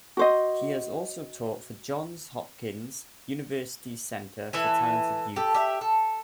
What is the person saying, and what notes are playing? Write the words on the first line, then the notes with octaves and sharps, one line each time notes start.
He has also taught for Johns Hopkins University's Center for Talented Youth.
F#4 C5 D#5
E3 A4 G#5
G4 A4
G4 E5
A4